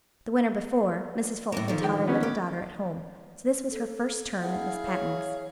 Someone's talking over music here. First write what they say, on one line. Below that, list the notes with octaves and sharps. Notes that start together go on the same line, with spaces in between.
The winter before, Mrs. Fulton had taught her little daughter at home; so this was her first term at Miss Patten's.
A2 C#3 A#3
D3 D#3 F3
G#3 G5
B3 C#4
G4
A4
E4 G#4 F5 F#5
C#5